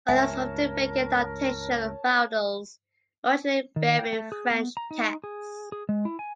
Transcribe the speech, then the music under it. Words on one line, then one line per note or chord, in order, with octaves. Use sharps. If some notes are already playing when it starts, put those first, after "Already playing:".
Others often make an adaptation of roundels originally bearing French texts.
C#2 G2 A#4 C#5 E5 G#5 A5
D#3
G5
A3
G#4
B3
A#5
D#4
G#4
G#4
G#3
E4
G#5